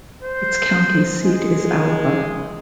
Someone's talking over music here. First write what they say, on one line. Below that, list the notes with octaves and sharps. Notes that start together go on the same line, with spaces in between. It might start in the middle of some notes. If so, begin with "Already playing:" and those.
Its county seat is Alva.
C5
G#3